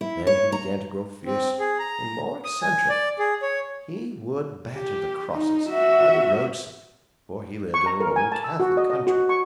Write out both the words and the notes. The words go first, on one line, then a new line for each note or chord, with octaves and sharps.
Then he began to grow fiercer and more eccentric; he would batter the crosses by the roadside; for he lived in a Roman Catholic country.
E4
C#5
A#5
C4
G#4
A#5
D#6
G#5
D5
G#4
C#5
G4
D#4
F#4 E5
C#6
A#5
A#4
G#5
A5
E6
F#4
D#5
D#5
F#4
C#6